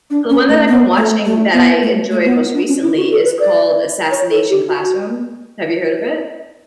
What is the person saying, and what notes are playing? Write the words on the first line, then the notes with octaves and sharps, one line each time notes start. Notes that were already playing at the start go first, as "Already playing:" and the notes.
The one that I've been watching that I enjoyed, most recently, is called Assassination Classroom, have you heard of it?
D4
C#4
A3
B3
A3
A3
B3
A3
A3
B3
D4
C#4
E4
F#4
A4
B4
D5
C#5
A4
G4
F#4